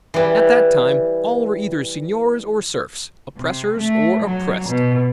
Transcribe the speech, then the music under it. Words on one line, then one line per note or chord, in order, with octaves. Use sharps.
At that time, all were either seigniors or serfs, oppressors or oppressed.
E3 G3
C3
A3
F#3
B2